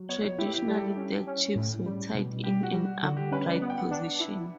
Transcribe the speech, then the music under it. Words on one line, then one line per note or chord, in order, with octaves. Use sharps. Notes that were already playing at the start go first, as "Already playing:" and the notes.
Traditionally dead chiefs were tied in an upright position.
Already playing: F#3
B3 C#5
C#5
E4 G4
G4
G3 G4
A4
G4
C#4
C#4
A2
G3
B2
G3 G4
F#4
G3
D3 F#4
G4
C#4 B4
D5
B3 F#5
G5
F#5
D4
E4